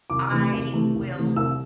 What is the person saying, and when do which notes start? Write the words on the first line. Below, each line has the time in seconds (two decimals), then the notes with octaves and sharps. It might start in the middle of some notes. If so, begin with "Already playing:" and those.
I will
0.10 C2 D6
0.31 C3 E3 A3
0.53 C2
0.73 C3 E3 A3
0.95 C2
1.15 C3 E3 A3
1.36 C2 E6